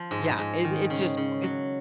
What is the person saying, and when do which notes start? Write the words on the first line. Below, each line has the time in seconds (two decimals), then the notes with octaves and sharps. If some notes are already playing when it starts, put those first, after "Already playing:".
Yeah. It it's just it's
Already playing: F3
0.11 G#2
0.38 G#2
0.64 D#3
0.90 C#3
1.17 C#3
1.43 F#3